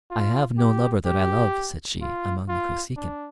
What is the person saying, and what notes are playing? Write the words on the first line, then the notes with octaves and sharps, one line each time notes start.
"I have no lover that I love," said she, "among the Kosekin."
F4
G4
G4
F4
F4
D4